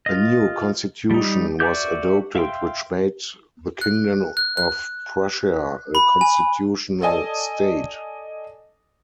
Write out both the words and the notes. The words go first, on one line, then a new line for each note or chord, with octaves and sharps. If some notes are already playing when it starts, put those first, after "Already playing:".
A new constitution was adopted which made the kingdom of Prussia a constitutional state.
F4 D#5
G3 D#4
F#4 D5 E5 D6 G6
E5 F5 G5 C6
F#6
F#6
F#6
B5
G#5
A4 D5 D#5 G#5 A5